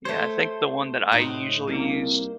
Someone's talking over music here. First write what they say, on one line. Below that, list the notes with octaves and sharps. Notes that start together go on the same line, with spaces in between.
Yeah. I think the one that I usually used,
A3 C5 C#5
A2 D#4 F#4
C2 A#3